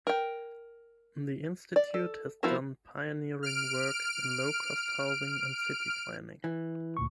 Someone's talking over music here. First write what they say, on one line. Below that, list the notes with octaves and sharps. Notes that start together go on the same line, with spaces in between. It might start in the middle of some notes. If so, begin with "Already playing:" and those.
The institute has done pioneering work in low cost housing and city planning.
A#4 G5
D5
A4
F3 B3 E4 F#4 A#4
F6 D7
E3
D2 A#2 C#6